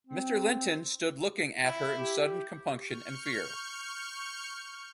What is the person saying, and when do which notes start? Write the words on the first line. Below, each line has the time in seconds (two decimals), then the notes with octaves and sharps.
Mr. Linton stood looking at her in sudden compunction and fear.
0.07 C4
1.65 E4
1.96 G4
2.79 C#6 F6 G6 C#7